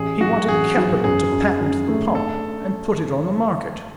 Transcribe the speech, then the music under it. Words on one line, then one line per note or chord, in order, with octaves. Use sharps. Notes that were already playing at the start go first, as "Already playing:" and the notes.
He wanted capital to patent the pump and put it on the market.
Already playing: A1 G#4
F#3 F#4
A1 G#4
F#3
F#2 G#4
F#2
F#2
A3
D4 A4